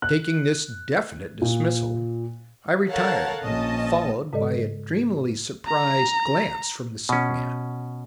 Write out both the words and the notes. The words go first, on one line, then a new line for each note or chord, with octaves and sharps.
Taking this definite dismissal, I retired, followed by a dreamily surprised glance from the sick man.
F#6
A#2
A4 A#4 C#5 F5 F#5 A5
A#1 C#4 D#5 A5
G#2 C#3 G#3 A4 D5 D#5
A#5
B2 C#4